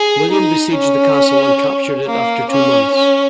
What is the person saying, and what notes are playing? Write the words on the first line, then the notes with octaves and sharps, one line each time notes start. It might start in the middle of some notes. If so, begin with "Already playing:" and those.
William besieged the castle and captured it after two months.
Already playing: G#4
D#4
C#4
A#3
C#4
C#4